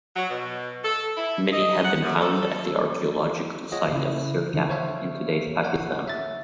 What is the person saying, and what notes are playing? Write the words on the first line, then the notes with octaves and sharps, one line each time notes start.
Many have been found at the archaeological site of Sirkap, in today's Pakistan.
F#3
B2
A4
E4
D#5
F#5
F#2
A4
F4 G#4 C#5 D#5 F#5
C#3 E4
D3 E3 F3
C5 C#5 E5 F5
C#5 F#5
E5 A6